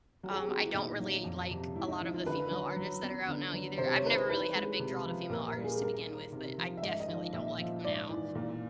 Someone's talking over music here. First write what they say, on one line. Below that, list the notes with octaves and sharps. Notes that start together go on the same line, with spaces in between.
Um, I don't really like a lot of the female artists that are out now either. I've never really had a big draw to female artists to begin with, but I definitely don't like them now.
F#3 F#4
G#4
G4
B3 F#4
E4
A#2 D#4
F#3
F2
C3
G#2 E4
D#4
F3 E4
F4
D3 B4
F#3
F#3
B3
D3
F#3
C3 C5
C#5
D#3 B4
C5
E3 B4
G#3
C3
F3
A#2 A#4
A#4
G3
G#4
G2 A#4
D#3
C3
F3
E5
G#2 D#5
D#5
F3
D#5
A#2 E5
F3
G#2 D5
E3
A#2